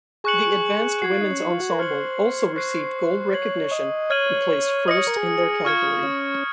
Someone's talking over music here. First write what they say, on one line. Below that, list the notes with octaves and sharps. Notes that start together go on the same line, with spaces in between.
The Advanced Women's Ensemble also received gold recognition and placed first in their category.
G#4 C#6 F#6 C#7 F#7
F#4 C#6 G#6 C7
F4
D#4
C#4
D#4
F4
F#4
A#4
C5 F6 G#6 C#7 F#7
C5 C#6 F#6 C7
C#5 G#6 C7 F#7
D#5
C#5 F6 G#6 D#7 F#7
D#5 D#6 A#6 C#7
C#5
A#4
G#4
F4 C#6 F6 G#6 C#7
C#4